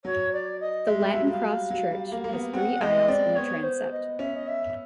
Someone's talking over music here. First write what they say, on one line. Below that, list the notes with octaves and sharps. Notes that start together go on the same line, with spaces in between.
The Latin-cross church has three aisles and a transept.
F#3 C#5
D5
D#5
G#3 E5
G3
F#3
G3 F5
F#3
G3
A#3
A#3
B3
C4 F#5
G#3 D#5
C4 D5
B3 C#5
C5
D#5
C#4 E5
D#5
E5